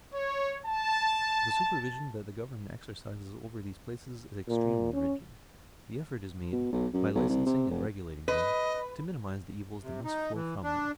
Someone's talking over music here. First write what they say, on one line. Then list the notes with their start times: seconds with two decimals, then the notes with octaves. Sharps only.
The supervision that the government exercises over these places is extremely rigid; the effort is made, by licensing and regulating them, to minimize the evils that must flow from them.
0.14 C#5
0.65 A5
4.48 A#2
4.93 C#4
6.52 B2
6.72 B1
6.93 F#2
7.15 B1
7.29 C2
7.46 C3
7.70 F1
8.28 B4 D#5
9.82 C3
10.04 D#4
10.34 E3
10.64 D4